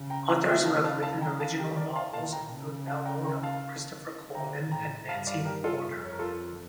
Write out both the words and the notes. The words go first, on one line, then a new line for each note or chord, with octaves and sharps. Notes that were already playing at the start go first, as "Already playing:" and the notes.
Authors who have written original novels include Mel Odom, Christopher Golden, and Nancy Holder.
Already playing: C#3
G5 A#5
G5 A#5
E5 G5
C#3 F5 A5
F5 A5
F5 A5
G5 A#5
F5 A5
G4 A#4
A#4 D5
F5 A5
A#2 F5 A5
G5 A#5
C#3
F5 A5
G5 A#5
G5 A#5
F5 A5
D3 G5 A#5
A2 G5 A#5
G2 F5 A5
D5 F5
G4 A#4
F4 A4
F2
C#5
A#4
F4 A4